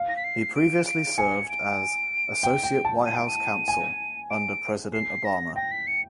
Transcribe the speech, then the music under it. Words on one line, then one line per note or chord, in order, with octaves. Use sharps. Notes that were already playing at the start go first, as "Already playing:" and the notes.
He previously served as Associate White House Counsel under President Obama.
Already playing: F5
A#6
B6
C7
D7
D7
G#5 C#7
D7
G5
G5
A5
D#7
D7
D#7
G#5
D7
C7
A#6
G5 A#6
B6
C#7